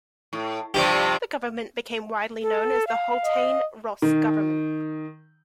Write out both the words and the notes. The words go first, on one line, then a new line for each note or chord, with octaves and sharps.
The government became widely known as the Haultain-Ross government.
A2
G2 C3 F3 G4 C5 D5
A4
F5
D#5
D#3